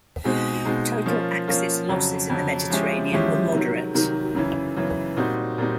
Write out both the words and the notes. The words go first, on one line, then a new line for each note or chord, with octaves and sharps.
Total Axis losses in the Mediterranean were moderate.
B2 G#3 C4 D#4 G#4
B2 G#3 C4 D#4 G#4
F3 A#3 C#4 F4
F3 A#3 C#4 F4
F2 C#3 F#3
F2 C#3 F#3
F3 G#3 C#4 E4 G4
F3 G#3 C#4 E4 G4
C3 D#3 F#3
C3 D#3 F#3
F#2 C#3 E3
F#2 C#3 E3
A#2 G3 C4 D#4 F#4
A#2 G3 C4 D#4 F#4